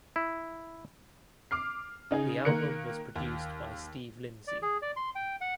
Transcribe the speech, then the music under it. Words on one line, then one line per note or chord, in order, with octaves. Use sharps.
The album was produced by Steve Lindsey.
E4
D6 F6 C7
C#3 D#4 G#4
D#3 A#3 A#4 F#6 C#7
D#2
D5
G#4
D5
C6
G5
F#5